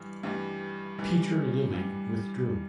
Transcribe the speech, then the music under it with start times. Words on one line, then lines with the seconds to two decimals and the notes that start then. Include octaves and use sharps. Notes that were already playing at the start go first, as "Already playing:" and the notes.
Peter Lilley withdrew.
Already playing: G2 E3 G3
0.23 G2 E3 G3
0.98 G2 E3 G3
1.73 G2 E3 G3